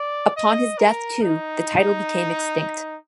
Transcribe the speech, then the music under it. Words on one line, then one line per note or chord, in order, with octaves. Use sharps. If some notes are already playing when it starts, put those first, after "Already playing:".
Upon his death, too, the title became extinct.
Already playing: D5
D#5
A#4
D#4